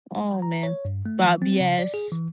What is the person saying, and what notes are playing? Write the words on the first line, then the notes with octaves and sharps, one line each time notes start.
Oh man, Bob Yes.
A#5
C#5
G2
A3
E3
C4
C#3
D5
G#4
E3